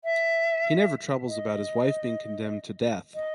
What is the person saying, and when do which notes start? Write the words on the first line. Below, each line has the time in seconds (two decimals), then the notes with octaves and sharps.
He never troubles about his wife being condemned to death.
0.04 E5
1.28 D#5
3.15 D#5